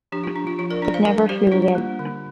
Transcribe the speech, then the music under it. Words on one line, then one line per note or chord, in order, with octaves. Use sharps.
It never flew again.
F3 D4 G4
F4
D4
F4
F3 F4
A#4 D5
D4 D5
C5 F5
G3 A#4 D5
G3 G4 C5
D4 F4
A#3
D3